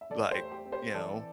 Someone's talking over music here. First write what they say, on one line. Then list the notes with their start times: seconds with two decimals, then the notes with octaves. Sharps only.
like, you know,
0.01 E5
0.10 E2 A4 D5
0.26 D5
0.31 G4 C5
0.39 A3
0.52 G4
0.66 C4
0.72 G4 C5
0.94 E3 A4 D5